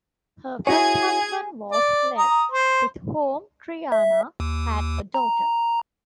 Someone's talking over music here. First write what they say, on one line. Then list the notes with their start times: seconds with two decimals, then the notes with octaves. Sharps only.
Her first husband was Lev, with whom Triana had a daughter.
0.67 E4 F#4 G#4 C#5 G#5 G#6
1.72 D5
2.18 A#5 D#6
2.51 C5
3.92 E5
4.40 D#2
5.14 A#5